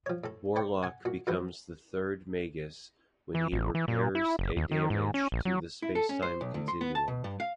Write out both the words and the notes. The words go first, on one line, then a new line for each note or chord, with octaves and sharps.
Warlock becomes the third Magus when he repairs a damage to the spacetime continuum.
F3 C#5
A2 A4
C5 D5 G5 C#6
F#5 G#5
A#2 F#4
D3 E3 F3 F#4 B4 C5
E3
A1
E3
A#2
E4
F#1
D#2
D#3
G#2
C#4
A#1
F#3
E4
A4
C#4
C5
B1
D2
C6
B3
A5
B2
G2
F5